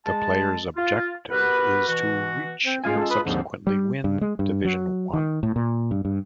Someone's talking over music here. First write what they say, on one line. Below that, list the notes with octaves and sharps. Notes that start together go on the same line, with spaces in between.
The player's objective is to reach, and subsequently win, division one.
G#3 A5
F4
B3 F#4 G4 A#4 B4
B2 E3 F#4
C4 C5
G#3 C#4 F4 F5 G#5
G#3 A4
B4 B5 D#6
D#2 G#2 D3 F3 C4
G3
G2
G#3
G2
F#3
D#3
A2
A#2
G2
G2